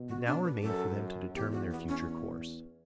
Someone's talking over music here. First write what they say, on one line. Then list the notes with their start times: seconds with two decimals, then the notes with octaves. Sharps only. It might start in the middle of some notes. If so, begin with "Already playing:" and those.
It now remained for them to determine their future course.
Already playing: B2
0.09 F#4
0.27 D4
0.44 B4
0.62 F#2 A4
1.34 E2 G4
1.52 F#4
1.71 B3
1.88 C#4